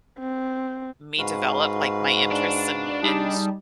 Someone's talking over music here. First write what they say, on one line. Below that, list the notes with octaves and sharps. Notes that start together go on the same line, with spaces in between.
me develop like my interests and and
C4
G#2 F#4 B4 F5
D4
G3 D#4 G4 G#4 A5